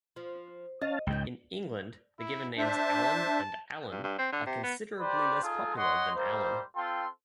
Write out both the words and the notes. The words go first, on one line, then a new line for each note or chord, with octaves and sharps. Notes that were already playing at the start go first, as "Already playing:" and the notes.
In England, the given names "Allan" and "Allen" are considerably less popular than "Alan".
F3
C#4 D#5 F5 A5
C#2 G#2 G5
E4
D4 C5 E5 A5
G2
G2
C4
D3
C3
B3
G4 B4 C5 D5
D#4 F4 G#4 A4
C#5 D#5 F#5 C6
G3 A#3 D#4 C5
C4 F4 A4 G5 C6